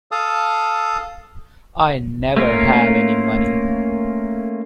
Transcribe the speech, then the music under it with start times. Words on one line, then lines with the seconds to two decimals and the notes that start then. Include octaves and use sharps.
I never have any money.
0.12 A4 F5 A5 D#6
2.36 A3 A#3 C#4 F4 A#4